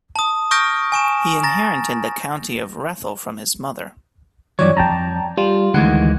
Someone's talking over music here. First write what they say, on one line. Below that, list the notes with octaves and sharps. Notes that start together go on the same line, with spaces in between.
He inherited the county of Rethel from his mother.
A5 D#6
C#6 D#6 F6 G6 A#6 D7
G#5 C#6 E7
A#5 A6 A#6
G2 E3 F#3 C#5 D5
F2 G5 A5 A#5
G3 F4
D2 D#3 E3 G#3 F#5